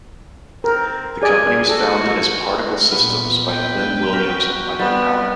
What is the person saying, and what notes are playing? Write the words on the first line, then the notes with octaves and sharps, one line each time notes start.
The company was founded as Particle Systems by Glyn Williams and Michael Powell.
C4 A#4
G#4 D5 G#5
F#4 A4
A#2 B3
B4 G5
F#4 A#4
G3 B3 C4